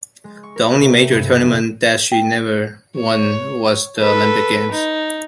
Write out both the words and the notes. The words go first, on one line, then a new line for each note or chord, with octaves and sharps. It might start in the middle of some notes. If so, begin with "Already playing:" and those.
The only major tournament that she never won was the Olympic Games.
G#3
C#6
A#4
C#6
C3
A3
G2
A3
F1
G5
C#5
A4 B4
D#4